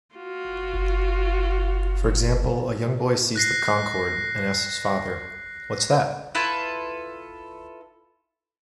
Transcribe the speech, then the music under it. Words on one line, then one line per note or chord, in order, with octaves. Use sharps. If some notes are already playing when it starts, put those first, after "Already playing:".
For example, a young boy sees the Concorde and asks his father "What's that?".
F4 F#4
F#6 A#6 C7
E4 F4 A4 B4